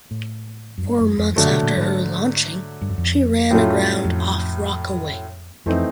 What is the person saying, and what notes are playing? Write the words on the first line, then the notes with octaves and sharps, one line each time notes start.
Four months after her launching, she ran aground off Rockaway.
A2
F#2
G2
F#2
F2
F#2 D3 F#3 A3
A#2
B2
A#2
G#2
G2
F#2
F2
A2 F#3 A3 C#4 F4
F2
F2 E3 A3 C4 D#4